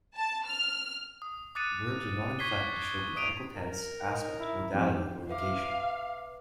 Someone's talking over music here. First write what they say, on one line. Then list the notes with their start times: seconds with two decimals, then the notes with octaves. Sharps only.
Verbs are not inflected to show grammatical tense, aspect, modality, or negation.
0.15 A5
0.46 F6
1.22 D#6
1.55 D6 D#6 F#6 A6 C#7 D#7
2.39 C#6 G#6 B6 C7 D#7 G7
3.16 D#6 D7 D#7 F7
3.56 A#4
4.06 D#4
4.40 E4
4.74 F2 G4
5.30 B4 E5 F5 D6